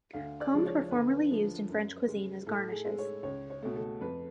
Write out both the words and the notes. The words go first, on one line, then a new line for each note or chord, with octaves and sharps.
Combs were formerly used in French cuisine as garnishes.
D2 F5
D5
C#3 F3 G#3
C#5
D2 B4
D3 F3
F#2
C#3 G#3
A2 A4
G#4
G#3
C#5
C#2 C#5
C#5
B2 A3
A4
F2 B4